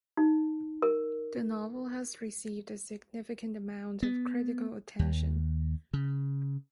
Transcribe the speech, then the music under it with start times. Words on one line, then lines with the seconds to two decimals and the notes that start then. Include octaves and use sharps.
The novel has received a significant amount of critical attention.
0.17 D#4
0.82 A#4
4.03 B3
4.99 D#2
5.93 C#3